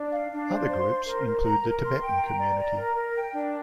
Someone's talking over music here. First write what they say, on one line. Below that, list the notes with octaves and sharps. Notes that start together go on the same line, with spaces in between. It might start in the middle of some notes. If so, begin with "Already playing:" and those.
Other groups include the Tibetan community.
Already playing: D4
F5
D4
C5
C6
C5
A#4
A#4
A#5
A#4
C6
G5
A#5
D5
A#5
A#4
A#4
G5
D4